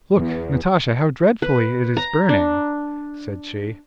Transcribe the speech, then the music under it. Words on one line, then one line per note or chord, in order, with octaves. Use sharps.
"Look, Natasha, how dreadfully it is burning!" said she.
E2
B4
A#5
D4